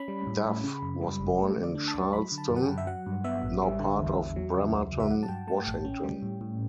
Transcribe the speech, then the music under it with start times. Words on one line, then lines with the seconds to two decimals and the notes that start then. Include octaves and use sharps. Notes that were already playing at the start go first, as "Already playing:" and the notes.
Duff was born in Charleston, now part of Bremerton, Washington.
Already playing: C#4 B5
0.08 G3
0.27 A2
0.45 A2
0.64 C#3
0.82 F#2
1.01 G3
1.19 G1
1.39 A3
1.57 D3
1.63 D5
1.75 D4
1.88 A5
1.94 D2
2.12 F#3 B5
2.32 D3
2.38 A5
2.50 F#2
2.57 F#5
2.63 G5
2.68 F#2
2.78 E5
2.87 F#3 F#5
3.06 G2
3.24 B3 E5
3.43 A1
3.62 G3
3.80 D3
3.99 E2
4.18 E2
4.36 F#3
4.55 C#3
4.74 C#2
4.92 C#2
5.00 E5
5.10 F#3 F#5
5.23 A5
5.29 G2 G5
5.47 A3 A5
5.66 A1 G5
5.85 C#4
6.04 G3
6.22 A2
6.41 A2